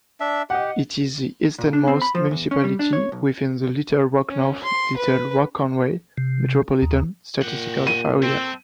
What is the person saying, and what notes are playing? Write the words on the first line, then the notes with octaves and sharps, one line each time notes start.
It is the easternmost municipality within the Little Rock-North Little Rock-Conway Metropolitan Statistical Area.
D4 E5
G4 D#5 F#5
A#2
D4
C4
B5
F3
E2
C#4
G3
D4
C#5
B1
C#4
C6
B4
C3
D#2
A#2 G4 F#5
D#7
A3 C4 E5